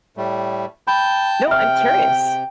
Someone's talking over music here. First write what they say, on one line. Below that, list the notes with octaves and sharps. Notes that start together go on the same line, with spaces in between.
No, I'm curious.
A2 G3 A3
G5 A5 B5 G6
C3 E5 G5 F6